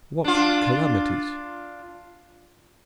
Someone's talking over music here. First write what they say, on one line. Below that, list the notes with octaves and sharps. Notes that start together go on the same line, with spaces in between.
What calamities?
D4 F4